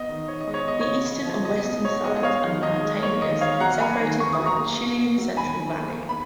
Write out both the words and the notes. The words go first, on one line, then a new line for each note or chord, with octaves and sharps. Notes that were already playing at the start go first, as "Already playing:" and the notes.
The eastern and western sides are mountainous, separated by the Chilean Central Valley.
Already playing: B3 D#5
D#3
D#3 C#5
D#5
G#3
C#5
B3 D#5
C#5
C#3
C#3
F3
B3 D#5
B2 D#5
B2 C#5
G#3 D#5
D#5
B3 C#5 F5
D#3
D#3 D#5
G#3
A#3 C#5
D#3 D#5
D#3 C#5 F5
F#3 F#5 A#5
A#3 G#5 B5
D#3
D#3 C#6
D#6
F#3
A#5 C#6
A#3
B2
B2
F#3
D#3 G#5 B5
D#3
A#3
A#3
B5